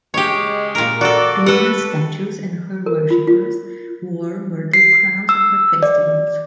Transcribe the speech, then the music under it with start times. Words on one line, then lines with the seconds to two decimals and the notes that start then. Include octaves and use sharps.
Venus' statues, and her worshipers, wore myrtle crowns at her festivals.
0.14 C#3 G#3 G4 C#5
0.75 A#2 A#4
1.01 F#4 A4 D5
1.46 G4 A4 B4 F#5
2.86 A#4
3.11 F4
3.27 F4
4.74 C7
5.29 E6
5.83 D5